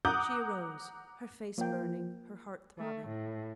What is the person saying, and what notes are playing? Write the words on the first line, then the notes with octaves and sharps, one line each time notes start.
She arose; her face burning, her heart throbbing.
F#5 A#5 D6 D#6 F#6 G6
F3 A#3 G5
A3
A2